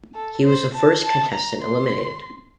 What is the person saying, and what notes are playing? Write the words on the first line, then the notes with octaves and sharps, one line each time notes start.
He was the first contestant eliminated.
A4
C5
A5
A5
A#5
C6